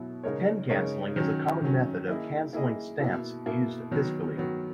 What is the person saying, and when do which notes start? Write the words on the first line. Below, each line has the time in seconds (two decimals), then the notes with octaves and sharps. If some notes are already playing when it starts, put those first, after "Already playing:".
Pen cancelling is a common method of cancelling stamps used fiscally.
Already playing: B2 F#3 B3 E4
0.24 C#3 G#3 D#4 A#4 C#5
0.70 C#3 G#3 D#4 A#4 C#5
1.16 D#3 F#3 C#4
1.62 D#3 F#3 C#4
2.07 A#3 E4 G#4 D#5
2.53 A#3 E4 G#4 D#5
2.99 B2 A#3 E4
3.46 B2 A#3 E4
3.91 D#3 F#3 B3
4.37 D#3 F#3 B3